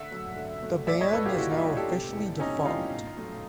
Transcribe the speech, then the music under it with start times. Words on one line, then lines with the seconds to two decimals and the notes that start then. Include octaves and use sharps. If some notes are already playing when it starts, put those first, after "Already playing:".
The band is now officially defunct.
Already playing: D3 E5 F#5
0.11 F#3 A3
0.36 D3
0.62 F#3 A3
0.87 A#2 D5 E5
1.01 C#5 D#5
1.13 G3 A4 B4
1.26 F4 G4
1.38 A#2 E4 F#4
1.51 D#4 F4
1.64 G3
1.77 G4 A4
1.89 C3
2.14 E3 G3
2.40 C3 C#4 D#4
2.65 E3 G3 D#4 F4
2.90 B2
3.17 F#3 A3